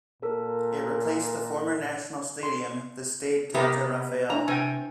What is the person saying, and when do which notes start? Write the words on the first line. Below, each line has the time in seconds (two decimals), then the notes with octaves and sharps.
It replaced the former National Stadium, the Stade Tata Raphael.
0.22 A#2 A4 A#4
2.43 C6
3.54 C3 B3 G4 A#4 E5 F5
4.30 D4 E4 B4 A#5
4.48 C3 B4 G5 G#5